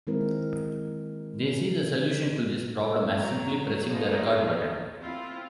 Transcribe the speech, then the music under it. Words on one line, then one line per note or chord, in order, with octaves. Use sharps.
They see the solution to this problem as simply pressing the "Record" button.
D#3 G#3 C4 E4 A#4
F#3 A#5
A3 B3 D4 D#4 F4 G#4
C4 E4 F4